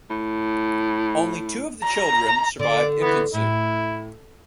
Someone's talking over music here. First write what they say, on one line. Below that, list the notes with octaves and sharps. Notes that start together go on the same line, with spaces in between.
Only two of the children survived infancy.
A2
A#5
D3 D5
E3 B3
A2 E4